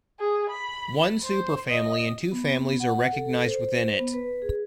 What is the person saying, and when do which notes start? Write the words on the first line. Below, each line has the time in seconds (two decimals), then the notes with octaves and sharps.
One superfamily and two families are recognised within it.
0.19 G#4
0.50 B5
1.23 C5
1.68 D#5
2.32 B3
2.80 F#5
3.13 A4
3.47 C5
3.99 B3
4.14 B4
4.42 G#4